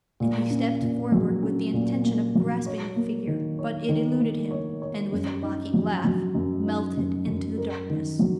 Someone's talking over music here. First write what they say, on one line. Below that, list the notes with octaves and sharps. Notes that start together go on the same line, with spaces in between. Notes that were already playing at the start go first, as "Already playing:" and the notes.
And he stepped forward with the intention of grasping the figure, but it eluded him, and, with a mocking laugh, melted into the darkness.
A#2
C#4
A#2
F#3
C#4
A#2
A#3
F#3
C#5
A#3
D#3
C#5
D#3
A#3
C#5
C#5
F#2
D#4
F#3
F#3
F#2
D#4
F#2
F#2
A#4
D#3
F#3